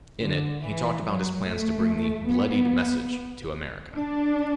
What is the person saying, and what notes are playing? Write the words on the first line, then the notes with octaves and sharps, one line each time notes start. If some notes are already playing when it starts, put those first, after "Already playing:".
In it, he talked about his plans to bring the "bloodied message" to America.
D3
E3
F#3
A3
B3
D4